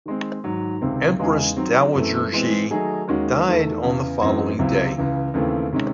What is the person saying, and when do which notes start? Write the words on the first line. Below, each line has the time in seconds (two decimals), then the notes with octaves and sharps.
Empress Dowager Cixi died on the following day.
0.06 D#3 G#3 C4
0.44 G#2 D#3 F#3
0.81 C#2 C3 D#3 G#3 C4
1.19 E2 C#3 G#3 D#4 G#4
1.56 D#3 F#3 C4
1.94 F#2 E3 A3 C4
2.32 E3 G#3 C4
2.71 D#3 F#3 A3 D#4 G#4
3.08 D#2 D#3 G#3 C#4 F#4
3.46 E2 D#3 A3
3.84 E2 C#3 E3
4.21 F#2 E3 C4 D#4
4.59 C#2 C3 F#3 C4 E4
4.97 C#2 C#3 E3
5.34 D#2 C#3 E3 A3 C4
5.73 C3 D#3 G#3 C#4